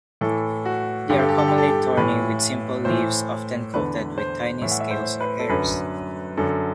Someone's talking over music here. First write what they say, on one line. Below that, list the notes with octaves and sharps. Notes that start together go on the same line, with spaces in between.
They are commonly thorny, with simple leaves often coated with tiny scales or hairs.
A2 E3 A4
F#4
G2 D3 G4
A4
G4
A4
G4
A4
G4
A2 E3 B4
A2 E3 C5
E2 D3 B4
C5
A2 E3 E5
F#5
E5
C5
B4
A4
F#2 D3 B4
F#2 D3 A4